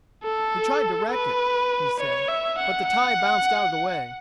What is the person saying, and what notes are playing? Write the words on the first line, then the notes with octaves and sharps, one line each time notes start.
"We tried to wreck it," he said, "but the tie bounced out of the way."
A4
B4
C#5
E5
F#5
F#5